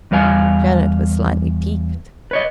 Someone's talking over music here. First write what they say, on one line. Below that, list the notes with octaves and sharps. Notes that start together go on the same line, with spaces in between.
Janet was slightly piqued.
E2 G3 B4 F5 G#5
B4 C#5 D#5